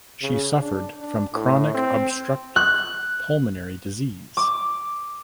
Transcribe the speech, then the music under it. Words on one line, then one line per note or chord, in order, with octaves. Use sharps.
She suffered from chronic obstructive pulmonary disease.
C#3
D4
D4
A2
C4
F#6
D6